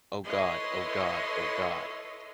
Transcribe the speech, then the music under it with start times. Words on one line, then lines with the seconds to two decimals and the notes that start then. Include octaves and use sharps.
Oh god, oh god, oh god!
0.24 E4 A4 B4 C#5 D#5 C6